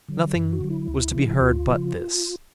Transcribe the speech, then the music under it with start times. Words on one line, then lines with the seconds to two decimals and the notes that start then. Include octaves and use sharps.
Nothing was to be heard but this.
0.09 D3 F#3
0.35 F#2
0.53 F#4
0.61 D3 F#3
0.70 E4
0.88 D2
1.15 C#3 F3
1.40 D2 F4
1.67 C#3 F3